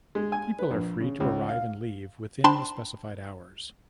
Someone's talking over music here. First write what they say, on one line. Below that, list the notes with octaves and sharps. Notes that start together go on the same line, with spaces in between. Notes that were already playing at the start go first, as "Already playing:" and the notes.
People are free to arrive and leave within the specified hours.
G#3
G#5
B4
A#1
C#3
C#2
F5
D4 C5 G5 A5 B5 C6